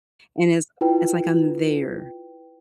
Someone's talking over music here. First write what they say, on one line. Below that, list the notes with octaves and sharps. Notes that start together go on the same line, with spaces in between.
and it's it's like I'm there
E4 F4 B4 G5